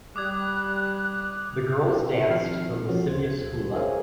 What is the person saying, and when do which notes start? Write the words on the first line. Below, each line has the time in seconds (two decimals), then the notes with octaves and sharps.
The girls danced the lascivious hula.
0.16 G3 D6 D#6 F#6 G#6
1.87 C4 E4 G4 G#4 A#4
2.28 D#3 F3 C4 F6 C7
2.89 A#2 F3 C#4 F#4
3.09 D2 C5 G#6
3.76 G#4 A#4 C5 C#5 F5 G#5